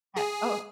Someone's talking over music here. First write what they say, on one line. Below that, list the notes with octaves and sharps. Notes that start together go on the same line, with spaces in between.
Uh oh.
G#4